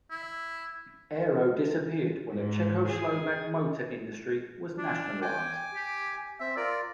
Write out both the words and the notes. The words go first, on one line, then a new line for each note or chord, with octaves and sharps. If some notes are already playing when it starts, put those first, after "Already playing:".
Aero disappeared when the Czechoslovak motor industry was nationalised.
E4
G#2
G#4
D4
G5 G#5 D6
G4
C4 E5
F4 A#4 D5